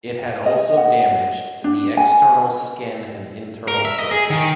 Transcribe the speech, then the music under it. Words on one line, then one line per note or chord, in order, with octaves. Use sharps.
It had also damaged the external skin and internal structure.
D#5
F#5
D4
G#5
A#4
E5
D#5
G#4
D#3